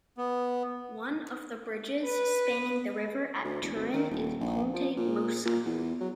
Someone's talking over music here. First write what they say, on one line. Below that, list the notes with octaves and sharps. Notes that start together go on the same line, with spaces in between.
One of the bridges spanning the river at Turin is Ponte Mosca.
B3
B4
D2
E1
G#1
D#3
D#1
A#1
F3
A#2
A#2
E2
F#3